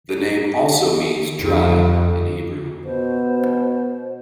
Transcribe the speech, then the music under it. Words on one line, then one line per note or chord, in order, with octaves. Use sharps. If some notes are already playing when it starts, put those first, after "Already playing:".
The name also means "dry" in Hebrew.
F2
B2 C5